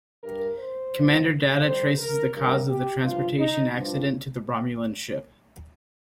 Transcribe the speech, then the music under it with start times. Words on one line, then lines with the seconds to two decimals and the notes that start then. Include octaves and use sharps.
Commander Data traces the cause of the transportation accident to the Romulan ship.
0.23 G2 G3 A#4
0.57 C5
0.94 G2 F3
1.63 F2 C3 G3 C5
1.98 A#4
2.33 G2 G3 A#4
2.69 G4
3.04 G2 F3 F4
3.39 D#4
3.74 G2 F3